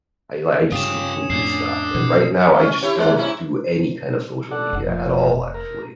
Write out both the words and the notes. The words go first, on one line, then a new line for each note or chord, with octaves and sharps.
I li I just completely stopped. And right now, I just don't do any kind of social media at all, actually.
G2 C#3 C#4 F4 G4 D#6 E7
F2 A2 D3 C7
B2 E3 F3
G#3 C#4
E4 G4 C#5
G#2 G#3 D5
G#2 C#4 E4
A4 D5 F#5
F1
A#2 F3
A#4